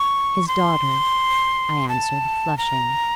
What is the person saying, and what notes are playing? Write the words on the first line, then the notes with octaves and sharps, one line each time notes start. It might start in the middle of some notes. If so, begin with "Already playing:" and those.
'His daughter,' I answered, flushing.
Already playing: C#6
C6
A5
A#5